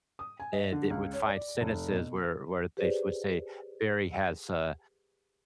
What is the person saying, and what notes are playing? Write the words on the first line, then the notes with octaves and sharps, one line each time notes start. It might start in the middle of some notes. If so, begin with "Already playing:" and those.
and it would find sentences where where they s would say berry has, uh,
D#6
G#5
D#5
D3
C#2
C#5
D5
F1
B2
G4 G#4 B4 C5 D5